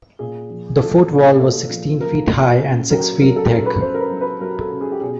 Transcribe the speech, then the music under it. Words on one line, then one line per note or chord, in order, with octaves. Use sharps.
The fort wall was sixteen feet high and six feet thick.
A#2 G#4
F3
F3 A4
A#2
A#2 A4
F3
F3 A#4
A#2
C#3
F#3 A#4
F#3 A#4
A4
C#3 A#4
B4
C#3 C5
A#4
B4
F#3
B4
F#3 A#4
A4
C#3
G#4
G4
B2 G#4